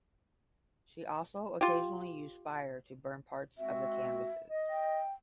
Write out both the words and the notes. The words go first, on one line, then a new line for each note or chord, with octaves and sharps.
She also occasionally used fire to burn parts of the canvases.
F4 G4
G#3 C4 F#4 E5
D#5
G5